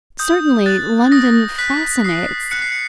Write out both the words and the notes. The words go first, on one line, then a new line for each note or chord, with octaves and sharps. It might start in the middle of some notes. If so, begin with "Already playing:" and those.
Certainly London fascinates.
D#6 G6
F#6 A6
D#6 A#6
F#6 B6
D#6 C7
F#6 C#7
C7
C#7